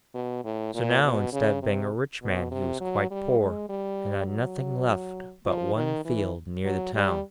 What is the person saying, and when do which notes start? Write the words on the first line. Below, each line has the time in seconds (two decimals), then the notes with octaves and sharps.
So now instead of being a rich man he was quite poor, and had nothing left but one field near the town.
0.15 B2
0.44 A2
0.74 A#2
1.03 B2
1.32 C#3
1.62 C3
2.22 B2
2.51 C3
2.80 F#3
3.10 G3
3.40 G#3
3.69 G3
4.27 F#3
5.45 F3
5.75 D#3
6.05 E3
6.64 F#3
6.94 G3